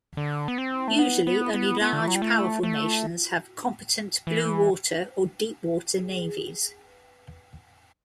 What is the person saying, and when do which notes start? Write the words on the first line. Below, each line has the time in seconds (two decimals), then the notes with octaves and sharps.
Usually, only large, powerful nations have competent blue water or deep water navies.
0.17 D3
0.48 B3
0.58 C4
0.88 A3
0.99 B3
1.27 B3
1.54 B3
1.81 B3
1.93 D3
2.00 E3
2.08 F#3
2.15 G3
2.22 A3
2.63 A3
4.27 E3